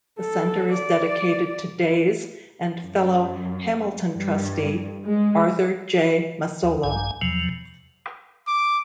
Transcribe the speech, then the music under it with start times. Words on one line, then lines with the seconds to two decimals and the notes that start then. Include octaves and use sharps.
The center is dedicated to Days and fellow Hamilton trustee Arthur J. Massolo.
0.20 A4
0.72 D5
2.82 F#2
4.13 G2
5.04 G#3
6.63 D#2
6.84 A#1 G2 G#5
7.22 E2 C3 F3 F#3
8.48 D6